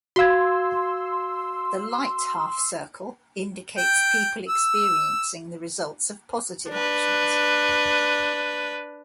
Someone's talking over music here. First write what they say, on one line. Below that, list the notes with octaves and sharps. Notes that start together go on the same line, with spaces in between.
The light half-circle indicates people experiencing the results of positive actions.
F#4 F5 C6 E6 G#6
G5
E6
D4 B4